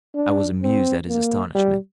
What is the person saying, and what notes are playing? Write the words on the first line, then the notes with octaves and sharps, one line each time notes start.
I was amused at his astonishment.
D4
C4
A#3
G3